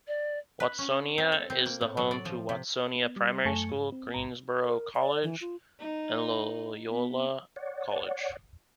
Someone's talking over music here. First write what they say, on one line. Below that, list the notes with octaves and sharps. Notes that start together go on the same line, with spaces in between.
Watsonia is also the home to Watsonia Primary School, Greensborough College and Loyola College.
D5
B4
C#4
C4
A4
C4
A#3
A2
F#3
D5
F3
C3
B3
G3
F#2 A3 G#5 A5 C#6 C#7
G#2
C4
A1 G#2 A#5
A#4
D5
E3
F4
D#4
B3
C#5 D5 F#5